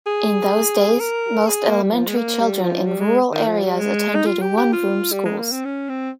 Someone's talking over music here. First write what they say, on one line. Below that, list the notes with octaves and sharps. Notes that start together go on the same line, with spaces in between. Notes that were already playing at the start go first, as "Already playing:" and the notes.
In those days, most elementary children in rural areas attended one-room schools.
G#4
A#4
G#4
A#3
G3
F3
G#3
A#3
G3
F3
G3
G#3
D#3
F3
G3
G#3
D#4
F4
G4
G4
F4
G3
G#3
A#3
C4
C#4
C4